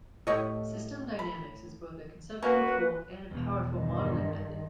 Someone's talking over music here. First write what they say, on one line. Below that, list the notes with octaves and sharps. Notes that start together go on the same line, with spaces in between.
System dynamics is both a conceptual tool and a powerful modeling method.
A2 G4 C#5 D#5
B5
A#3 C#4 F#4 B4
E2 B2
G2 D#3